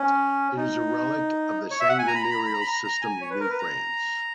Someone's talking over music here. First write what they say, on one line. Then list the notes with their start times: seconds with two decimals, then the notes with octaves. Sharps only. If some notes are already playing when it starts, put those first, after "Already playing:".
It is a relic of the seigneurial system of New France.
Already playing: C#4
0.57 D#4
1.71 C#5
1.80 E5
1.89 F#5
1.99 G#5
2.08 A#5
2.15 B5
2.23 A#5
2.31 B5
2.38 A#5
2.45 B5
2.53 A#5
2.61 B5
2.68 A#5
2.84 A#5
3.02 G#5
3.21 C#5
3.30 B4
3.40 A#4
3.50 B4
3.59 A#5